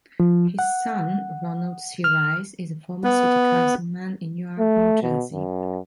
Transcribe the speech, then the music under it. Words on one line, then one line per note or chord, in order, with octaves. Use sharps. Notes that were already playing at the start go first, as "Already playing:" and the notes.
His son, Ronald C. Rice, is a former city councilman in Newark, New Jersey.
F3
F#5
F6
B3
A3
B2
F#2